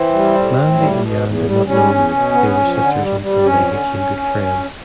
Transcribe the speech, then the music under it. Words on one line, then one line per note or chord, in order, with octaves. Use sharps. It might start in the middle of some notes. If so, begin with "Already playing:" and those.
Mandy and Yan did not know they were sisters until they became good friends.
Already playing: E3 C4
G3
A2
A2
G3
B2
E2
G3
G3 C#4
E2
B2
B3
F2
D3
G3
G3
F2 C#4
D3